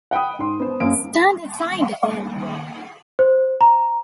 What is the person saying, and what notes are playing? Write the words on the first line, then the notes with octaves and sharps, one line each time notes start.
Stand aside, then.
F#5 G5 B5 D#6
G#2 C6
B3 C5
F#2 A#3 D7
C5
A#5